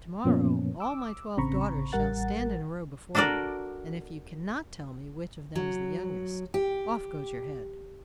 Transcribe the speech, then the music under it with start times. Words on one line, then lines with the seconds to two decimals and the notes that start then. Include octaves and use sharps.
To-morrow all my twelve daughters shall stand in a row before you, and if you cannot tell me which of them is the youngest, off goes your head.'
0.24 F#2 A#2 F3 A#3 B3 C#4
0.80 D6 E6
1.37 A1 C#3 C4 A#5 B5 C#6
1.92 A1 G3 A#4 F#5 A6
3.15 D4 F#4 A4 A#4 D5
5.55 F#3
6.54 G4